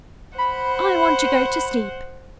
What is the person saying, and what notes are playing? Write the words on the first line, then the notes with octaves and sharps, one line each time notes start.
I want to go to sleep.
C5 F#5 B5